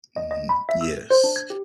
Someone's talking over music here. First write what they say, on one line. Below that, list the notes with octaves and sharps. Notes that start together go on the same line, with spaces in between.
Mhm, yes,
D#5
D#5
B5
E5
E6
C5
D4
G#6
G4